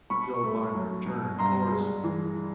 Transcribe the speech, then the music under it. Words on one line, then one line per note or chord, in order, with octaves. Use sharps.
The old miner turned towards them.
B2 B5 C#6
A3
F#3
B2
G2 A#5 C6
G#3
E3